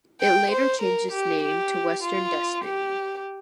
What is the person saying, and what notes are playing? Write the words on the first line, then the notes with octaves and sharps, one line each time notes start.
It later changed its name to "Western Destiny".
G5
C5
A#4
G4
G4
F4
G4